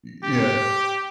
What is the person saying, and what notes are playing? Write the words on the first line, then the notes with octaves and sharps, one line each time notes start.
y yeah.
G4